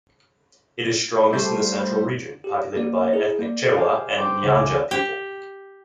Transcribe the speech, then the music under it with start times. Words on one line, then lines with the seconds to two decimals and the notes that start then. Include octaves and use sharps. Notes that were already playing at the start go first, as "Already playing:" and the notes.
It is strongest in the central region, populated by ethnic Chewa and Nyanja people.
1.30 G3 A3 C5
2.44 G4
2.77 A#3 F#4 D5
3.13 E4 G#4 A#4
3.39 A#3 D5
3.76 G4 G#4 C5 F5
4.18 G5 C6 D6
4.43 C#2 C#4 F#4 D6 G#6
4.91 G4